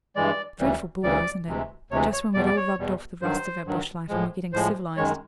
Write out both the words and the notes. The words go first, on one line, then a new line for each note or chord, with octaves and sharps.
Dreadful bore, isn't it? Just when we'd all rubbed off the rust of our bush life and were getting civilised.
G2 E3 G#3 D5
D2 C#3 E3 G3
D2 C#3 E3 G3 D5
D2 C3 E3 G#3
D2 C3 E3 G#3 C#5
C#5
E2 B2 G3 D5
D5
C#5
E2 B2 G3
G2 D#3 F#3 C5
G2 D#3 F#3
A2 F3 G#3
A2 F3 G#3 C5
F#2 D#3 G#3 C#5